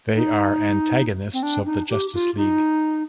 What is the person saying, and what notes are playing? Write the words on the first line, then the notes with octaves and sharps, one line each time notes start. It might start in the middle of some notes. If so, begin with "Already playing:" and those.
They are antagonists of the Justice League.
D#4
C4
D4
D#4
G4
F4
D#4